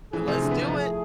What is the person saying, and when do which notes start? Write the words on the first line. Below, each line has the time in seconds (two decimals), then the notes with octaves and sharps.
Let's do it.
0.13 A2 E3 F3 A3 C4 G#4
0.28 C3
0.42 D3
0.51 B3
0.61 F3
0.71 F3 A3 E4 G#4